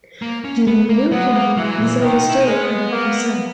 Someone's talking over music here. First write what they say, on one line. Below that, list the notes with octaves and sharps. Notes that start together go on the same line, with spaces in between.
During the New Kingdom, Giza was still an active site.
A#3
C#4
B3
A#3
F#3 B3
G#3
A#3
E3 F#3
G#3
F#3
A#2
B2 D#3
E4
D#4
G#3 C#4
B3
A#3